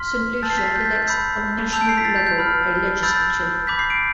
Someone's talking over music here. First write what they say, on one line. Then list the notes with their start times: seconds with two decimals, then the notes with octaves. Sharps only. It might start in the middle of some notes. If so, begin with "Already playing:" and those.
Saint Lucia elects on national level a legislature.
Already playing: C6 F6 B6
0.42 A5 E6 G6 A6
0.50 C7
0.58 B6
0.67 A6
0.75 G6
0.81 B6
0.85 A6
0.96 G6
1.08 B5 E6 G6
1.73 A5 E6 G6 F7
1.81 D7
1.89 C7
1.97 B6
2.05 A6
2.16 G6
2.27 G6
2.38 B5 F6
3.03 B5 E6 G6 A6
3.67 B5 D6 G6 B6
3.79 C7
3.90 D7